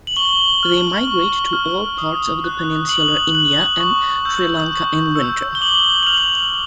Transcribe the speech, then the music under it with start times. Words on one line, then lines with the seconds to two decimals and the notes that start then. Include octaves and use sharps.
They migrate to all parts of peninsular India and Sri Lanka in winter.
0.07 F#7
0.17 C#6 G7
0.63 F6
1.07 C#6
1.53 F6
1.98 D#6
2.44 F#6
2.89 D#6 F#7
3.35 F#6 F#7
3.80 C#6
4.25 E6 G6
4.70 C#6
5.15 E6 G6
5.55 G7
5.61 D6 F#7
6.03 F#7
6.07 F6 F7